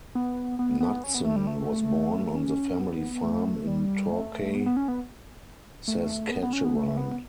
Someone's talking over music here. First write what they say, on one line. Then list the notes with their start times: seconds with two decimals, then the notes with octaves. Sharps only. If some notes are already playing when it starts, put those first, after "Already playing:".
Knutson was born on the family farm in Torquay, Saskatchewan.
0.15 B3
0.59 B3
0.81 B3
1.04 C#4
1.15 B3
1.25 A3
1.36 G3
1.47 A3
2.35 C#4
2.79 B3
3.23 A3
3.67 G3
4.11 A3
4.55 B3
4.66 B3
4.77 C#4
4.88 B3
5.88 A3
6.31 B3
6.43 B3
6.53 C#4
6.64 B3
6.75 A3
6.88 A3
6.97 B3